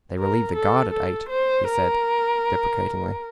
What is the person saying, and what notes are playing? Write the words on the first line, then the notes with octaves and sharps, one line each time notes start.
"They relieve the guard at eight," he said deprecatingly.
A#4
A4
A4
C5
A#4